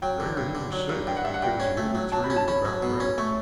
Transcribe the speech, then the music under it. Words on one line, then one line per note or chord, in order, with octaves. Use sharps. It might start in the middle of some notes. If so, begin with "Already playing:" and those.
There he was safe, because the other three were not mounted.
F#3 G5
D3
G2
D3
F#3
G2
G2 G5
F#5
G2 E5
F#5
G2 G5
C#4
A3
F#3
F#3 A5
B5
C#4
A5
C#4 B5
F#3
B2
C#4
A3 C#6